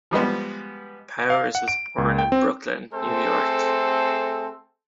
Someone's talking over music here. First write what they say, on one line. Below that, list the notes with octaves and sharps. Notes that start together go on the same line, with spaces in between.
Powers was born in Brooklyn, New York.
F3 G3 G#3 B3
F5
F#5
D7
C#2
G5
C4
A3 C4 G#4 A4 C5